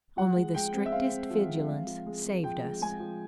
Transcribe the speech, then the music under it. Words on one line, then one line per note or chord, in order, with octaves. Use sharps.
Only the strictest vigilance saved us.
F3 F#5
G#3
G#3 G5
C4
E5
C4 F5
C4
F3
C4
G#3
F3
G#3
G#3
F3 G5
G#3
G#3 G#5
F3